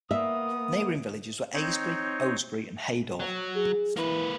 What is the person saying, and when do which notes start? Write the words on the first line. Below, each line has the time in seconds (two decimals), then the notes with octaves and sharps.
Neighbouring villages are Aisby, Oasby, and Heydour.
0.11 A#3 B3 E5 D#6
1.53 C4 D#4 C#5
3.20 F#3
3.56 G#4
3.96 E3 A#3 B4